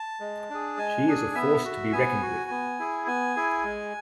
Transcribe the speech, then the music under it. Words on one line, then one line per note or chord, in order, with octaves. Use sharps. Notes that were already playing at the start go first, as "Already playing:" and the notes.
She is a force to be reckoned with.
Already playing: A5
G#3
D4 G#4
G#3 G#5
D4 G#4
B3 E5
F#4
B3 G#5
F#4
B3
E4 G#4
B3 G#5
E4 G#4
G#3